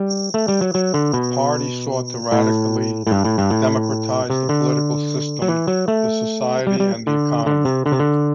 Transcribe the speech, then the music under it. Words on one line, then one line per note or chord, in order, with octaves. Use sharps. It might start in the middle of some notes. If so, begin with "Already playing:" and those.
The party sought to radically democratize the political system, the society and the economy.
Already playing: G3
A3
G3
F#3
F#3
D3
B2
A2
A2
G2
A2
G2
A2
C3
D3
F#3
E3
F#3
A3
G3
G3
D3
D3
C3
D3
C3
D3